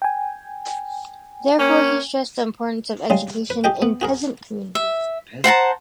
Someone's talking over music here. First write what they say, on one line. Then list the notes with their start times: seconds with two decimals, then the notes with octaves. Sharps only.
Therefore, he stressed the importance of education in peasant communities.
0.02 G5 G#5
1.58 A#3 C#4
3.10 C#3 G3 G#3
3.50 B4
3.64 G4 G#4 D#5 G5
3.82 B3
4.01 F#4 G#4 A#4
4.75 E5
5.44 C5 F#5 A5 A#5